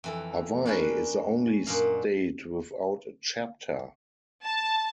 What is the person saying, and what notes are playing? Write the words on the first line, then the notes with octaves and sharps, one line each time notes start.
Hawaii is the only state without a chapter.
F2 E3 A4
C#4 D4 A#4 B4
F#2 A#2 D4 D#5 F5
A5